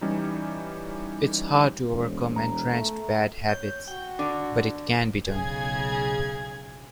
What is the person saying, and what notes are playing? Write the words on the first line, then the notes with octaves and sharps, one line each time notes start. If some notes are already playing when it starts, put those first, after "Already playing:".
It's hard to overcome entrenched bad habits, but it can be done.
E3 G3 C#4 D#4
E1
A#5
A3
C#5 G6
F#4 G5
D3 D4
B1 C#3 G#4 G#6